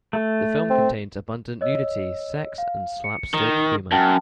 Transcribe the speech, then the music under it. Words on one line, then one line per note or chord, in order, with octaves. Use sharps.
The film contains abundant nudity, sex and slapstick humor.
A3
C4
C#5 D#5 E6
F5
C#7
D#3
F#2 G5 A5